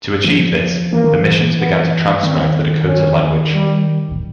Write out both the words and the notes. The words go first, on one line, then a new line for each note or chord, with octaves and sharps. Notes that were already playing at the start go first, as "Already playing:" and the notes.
To achieve this, the missions began to transcribe the Dakota language.
E3
F3
E3 A#3
D#3
E3
B3
D#3 C4
C#4
G3